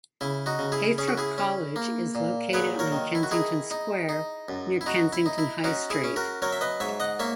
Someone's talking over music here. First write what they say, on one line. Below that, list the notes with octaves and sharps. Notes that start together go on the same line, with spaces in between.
Heythrop College is located on Kensington Square, near Kensington High Street.
C#3 E4
D#4 F#4
C#3
E4 G#4
C#4 G#4
F#4
E4 G#4
C#4
A#3
A#2
F#3 G#4 B4
A#4 C#5
D#3
E4
F#4
D#4 E4 G#4
D#4
D#4
F#2
E4
D#4 F#4
E4
D#4
E4
C#4 D#4 F#4
E4 G#4
C#4
F#4 A#4
F#3 A#4 C#5
E5
B4 D#5
G#2 C#5 E5
D#5 F#5
A#3 C#5 E5